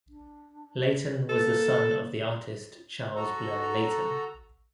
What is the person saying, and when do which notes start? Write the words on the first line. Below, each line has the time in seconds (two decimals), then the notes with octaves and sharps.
Leighton was the son of the artist Charles Blair Leighton.
0.09 D4
1.29 A#3 A4
3.15 F#4 A4 A#5